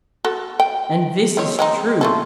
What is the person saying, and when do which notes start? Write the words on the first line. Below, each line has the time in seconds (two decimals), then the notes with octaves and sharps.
And this is true.
0.25 F#4 A4
0.60 G5
1.37 D#3 C4 C#5
1.59 G#3 C4 D#4
2.01 A3 F4 A4